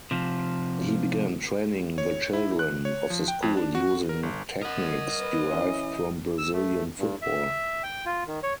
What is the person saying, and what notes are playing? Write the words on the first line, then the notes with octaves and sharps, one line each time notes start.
He began training the children of the school using techniques derived from Brazilian football.
C3 F3
C#5
E4
F#6
C#5
F3
G5
F2
D4
F#4
A#4
G1
A#4 D#5 F#5
B4
E3 C#4
E6
A3
G2
E5
G5
F4
D#3
C#5